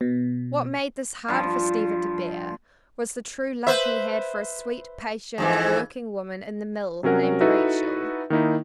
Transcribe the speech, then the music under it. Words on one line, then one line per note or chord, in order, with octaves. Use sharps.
What made this harder for Stephen to bear was the true love he had for a sweet, patient, working woman in the mill named Rachel.
B2
G2 F3
B4 C5 E5
F2 G#2 E3
C3 F#3 C#4 A#4 F#5
D#4 E4 F#4 A4 B4 E5
D#3 A#3 D#4 E4